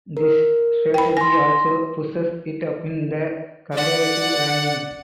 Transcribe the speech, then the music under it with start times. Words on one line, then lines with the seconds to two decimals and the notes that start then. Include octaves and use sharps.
This strategy also pushes it up in the comparative rankings.
0.17 A#4
0.94 G5 B5
1.17 G#5 C6 A#6
3.73 D5 F#5